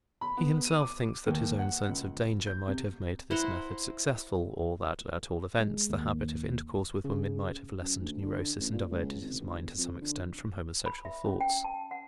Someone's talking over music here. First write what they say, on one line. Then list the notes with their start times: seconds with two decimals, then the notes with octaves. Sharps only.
He himself thinks that his own sense of danger might have made this method successful, or that, at all events, the habit of intercourse with women might have lessened neurosis and diverted his mind to some extent from homosexual thoughts.
0.21 B5
0.37 B3
0.65 D#7
0.81 D6
1.26 D#2
1.59 F#5
1.89 C#2
2.47 G6
2.68 C3
3.31 E4 C5 F#5 A#5
5.60 G#3
5.90 D#2
7.04 C#3
7.81 F#2
8.00 D2
8.21 D3
8.59 A1
8.73 A#2
8.90 C#2
9.21 G#1
9.40 G1
9.78 F2
10.01 D3
10.86 B5
11.05 E5
11.25 C#4
11.41 G5
11.64 A5
11.91 F#5